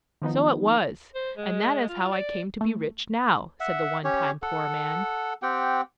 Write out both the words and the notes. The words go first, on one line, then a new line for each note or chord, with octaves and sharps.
"So it was, and that is how I came to be rich now," said the one-time poor man.
D#3 F3 B3 D#4
C5
G#3
F4
D5
A3
E5 F#5
C#4 G4 C#5
A4 F#5
C4 G4 F#5 G5